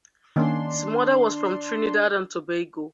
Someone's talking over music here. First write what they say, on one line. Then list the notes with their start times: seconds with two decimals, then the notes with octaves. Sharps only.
His mother was from Trinidad and Tobago.
0.36 D#3 A#3 C#4 D4 C6